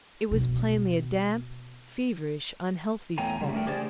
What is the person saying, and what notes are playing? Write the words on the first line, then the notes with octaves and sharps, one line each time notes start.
It was plainly a damp, feverish, unhealthy spot.
B2
E2 A2 C#5 G5 G#5 A#5
C#3 G3
A3 D4 A#4 G5
G4 G#4 C5 D5 G5